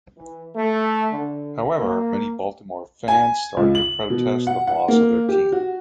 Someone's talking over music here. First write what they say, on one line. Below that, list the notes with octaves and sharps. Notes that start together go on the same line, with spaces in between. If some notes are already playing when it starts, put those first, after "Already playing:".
However, many Baltimore fans started to protest the loss of their team.
E3
A3
D3
A#3
G#5
C#2
F#7
B2
F#5
F#5
A#3
G4
F#4